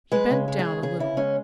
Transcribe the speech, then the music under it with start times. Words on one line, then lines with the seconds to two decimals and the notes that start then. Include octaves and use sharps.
He bent down a little.
0.12 G#3 B4
0.30 C#3
0.48 G#3
0.59 G#4
0.65 C#3
0.82 C#3 G#4
0.99 C#3 E4
1.17 G#3 C#4